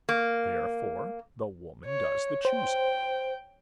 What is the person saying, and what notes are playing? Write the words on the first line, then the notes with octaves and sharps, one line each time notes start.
Therefore the woman does the choosing.
A#3
C#5
C5 G5